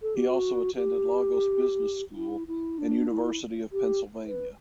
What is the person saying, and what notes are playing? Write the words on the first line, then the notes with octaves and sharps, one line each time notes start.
He also attended Lagos Business School and University of Pennsylvania.
A4
G4
F#4
G4
E4
E4
D4
E4
G4
B4